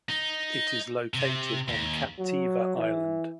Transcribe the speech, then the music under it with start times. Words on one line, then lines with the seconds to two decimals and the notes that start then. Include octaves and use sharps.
It is located on Captiva Island.
0.09 D#4
1.14 C3
1.68 D#2
2.19 F#3
2.77 E3